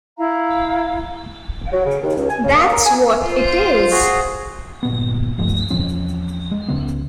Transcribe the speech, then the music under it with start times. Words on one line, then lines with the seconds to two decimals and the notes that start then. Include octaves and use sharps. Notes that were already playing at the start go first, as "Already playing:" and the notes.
That’s what it is!
0.17 E4 F5 A#5
1.73 F#3
1.85 C#3
2.03 D#2
2.17 C#2
2.29 G#5
2.44 C#3
2.56 A#3
2.73 A#4
2.85 G#5
3.23 F4 C5
3.91 F#4 G#4
4.83 G1 A#2 B3
5.38 C#2 G2 F3 A3
5.70 E2 F3 C4 C#4
6.51 G#3
6.68 C#2 C#3 B3